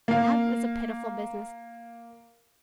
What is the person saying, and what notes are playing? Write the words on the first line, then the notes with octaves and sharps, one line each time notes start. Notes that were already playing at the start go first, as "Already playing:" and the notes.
That was a pitiful business.
A#3 F5